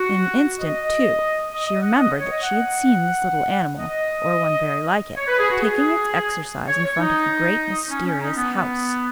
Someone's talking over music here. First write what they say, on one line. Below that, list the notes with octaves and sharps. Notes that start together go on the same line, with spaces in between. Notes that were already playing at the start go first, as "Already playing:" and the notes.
In an instant, too, she remembered that she had seen this little animal, or one very like it, taking its exercise in front of the great, mysterious house.
Already playing: F#4
D#5
D#5
D#5
F#5
D#5
C#5
D#5
F#5
D#5
C#5
B4
G#4
F#4
G#4
C#5
C#5
D#4
C#4
C#4
D#4
B3